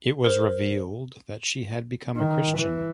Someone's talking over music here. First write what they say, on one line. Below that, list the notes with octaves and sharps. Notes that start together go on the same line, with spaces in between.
It was revealed that she had become a Christian.
A#4 C5
D#3
E3